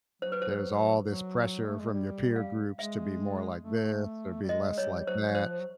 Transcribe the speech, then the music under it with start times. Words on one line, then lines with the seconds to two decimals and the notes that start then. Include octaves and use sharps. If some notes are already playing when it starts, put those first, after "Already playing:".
there's all this pressure from your peer groups to be more like this or be less like that,
0.22 F#3 C5
0.32 B4
0.42 C5
1.07 F#3
1.67 A3
1.81 G#3
1.93 G3
2.36 F5
2.79 G#3 E5
3.64 A3
4.43 G3
4.49 G#3 D#5
4.78 G3 C#5
5.06 F#3 C5
5.29 F#3
5.35 F3 C5
5.60 F#3